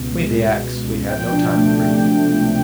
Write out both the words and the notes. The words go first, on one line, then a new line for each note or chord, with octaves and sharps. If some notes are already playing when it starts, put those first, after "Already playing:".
Between the acts we had no time to forget.
Already playing: C#2 B2
G#3
C#2
B2
C#2
F3 G5
D4
A3
C3
F3
D4